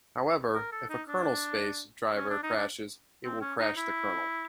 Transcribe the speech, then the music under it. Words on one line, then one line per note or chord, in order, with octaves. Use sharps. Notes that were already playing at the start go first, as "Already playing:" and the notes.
However, if a kernel-space driver crashes it will crash the kernel.
A#4
A4
D#4
D4
C#4
D4
D#4
D4
C4
C#4
D#4
E4